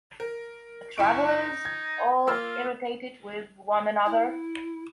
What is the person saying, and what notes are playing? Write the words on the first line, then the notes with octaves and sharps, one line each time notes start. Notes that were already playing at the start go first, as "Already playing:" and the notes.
The travelers, all irritated with one another...
A#4
F#1 E4 C#6 D7
D#4
G#6
A#3 F4 E6 F6
E4